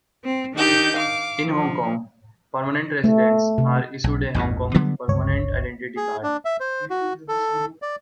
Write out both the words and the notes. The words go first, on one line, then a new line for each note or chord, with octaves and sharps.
In Hong Kong, permanent residents are issued a Hong Kong Permanent Identity Card.
C4
D#3 D4 D#4 G4 G6
F5 D6
F3
A3
C3
B1
A1 E2 G2 A#2
D3 F#3 G3 B3
G1 C#2 C#5
G#4
D4
E5
C5
F#4
A4
D5